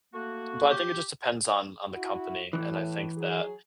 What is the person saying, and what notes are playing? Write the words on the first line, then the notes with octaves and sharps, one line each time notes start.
but I think it just depends on on the company and I think that
A3 A#3 F#4
G4
E4 F#4
A2 E3
F#3 G#4